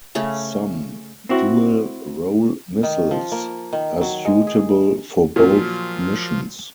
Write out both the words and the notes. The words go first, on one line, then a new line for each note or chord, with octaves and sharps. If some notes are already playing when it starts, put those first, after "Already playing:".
Some dual-role missiles are suitable for both missions.
C#3 A3 C#4
C4 E4 F#4
D#3
F3
A#3
D#3
F#3
G#3
G#4
A#2 F3 F#3